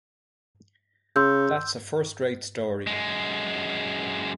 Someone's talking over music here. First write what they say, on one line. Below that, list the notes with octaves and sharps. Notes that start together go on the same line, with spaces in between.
That's a first-rate story.
C#3 C6 E6 G6
F#2 G#3